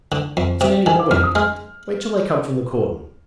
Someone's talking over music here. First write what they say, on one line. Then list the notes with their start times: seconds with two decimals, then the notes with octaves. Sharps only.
It's nearly morning; wait till they come from the cordon.
0.12 D3
0.37 F2
0.61 C3
0.86 D#3 G#5
0.99 D6
1.11 F2 F6
1.23 D#6
1.35 G#3 F6